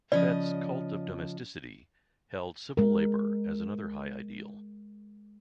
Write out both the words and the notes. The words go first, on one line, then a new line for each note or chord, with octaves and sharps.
Fet's 'cult of domesticity' held 'civil labour' as another high ideal.
C#3 F3 D5 D#5
G#3 A#4